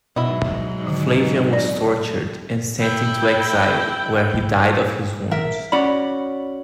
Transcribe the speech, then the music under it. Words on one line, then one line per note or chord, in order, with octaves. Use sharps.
Flavian was tortured and sent into exile, where he died of his wounds.
G#2 B2 F#3 E4 D#5
D3 D#3
D5 A#6
E4 G5
A#4 E5
C#4 F#4 D5 B5